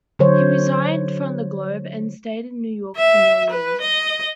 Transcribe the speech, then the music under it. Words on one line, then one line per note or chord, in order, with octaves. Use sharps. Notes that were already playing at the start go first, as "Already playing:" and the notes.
He resigned from "The Globe" and stayed in New York for nearly a year.
D3 F#3 C5 C#5
E5
B4
D#5